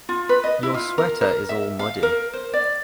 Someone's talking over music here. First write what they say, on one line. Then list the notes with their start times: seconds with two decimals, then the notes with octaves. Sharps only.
Your sweater is all muddy.
0.09 F4
0.29 B4
0.44 D#5
0.63 E4
0.74 F4
0.98 A#4
1.21 A#4
1.49 E5
1.79 F5
2.03 A#4
2.33 C5
2.53 D5